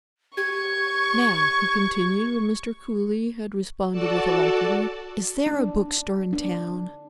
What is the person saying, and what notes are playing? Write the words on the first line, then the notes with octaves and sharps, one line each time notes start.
"Now," he continued, when Mr. Cooly had responded with alacrity, "is there a bookstore in town?"
G4 C#6 G#6
F#4 A4 D5 A5
D4
D4